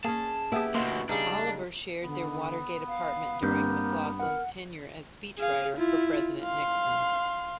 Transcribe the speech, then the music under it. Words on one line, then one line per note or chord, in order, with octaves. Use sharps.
Oliver shared their Watergate apartment during McLaughlin's tenure as speechwriter for President Nixon.
A#3 C#4 G#4 A5
A#3 B3 E4 G4 G#4
D2 B2 A#3 C6
C#3 G3 D4 D#4
D3 B3
F5
G2 A#3 C4 G6
A#4 F#5
G#4 F5
E4 F4
F5 C6